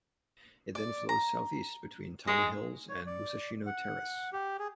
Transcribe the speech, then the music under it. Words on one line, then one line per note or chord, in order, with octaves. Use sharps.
It then flows southeast between Tama Hills and Musashino Terrace.
D5
A#5
G#3 D#5
C#5
D5
F#5
G4
G#4